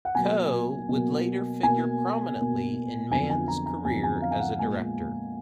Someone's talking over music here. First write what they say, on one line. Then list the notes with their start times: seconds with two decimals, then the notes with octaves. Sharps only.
Coe would later figure prominently in Mann's career as a director.
0.05 F#5
0.15 B2 F#3 A#3 G#5
0.89 B2 F#3 A#3
1.63 B2 A#3 G#5
2.37 B2 A#3
3.10 F2 D3 F#3 B3 G#5
3.30 G#5
3.48 A#5
3.66 A#5
3.85 F2 D3 F#3 B3 G#5
4.03 G#5
4.22 F5
4.31 G#5
4.41 F#5
4.59 A#2 G#3 B3 G#5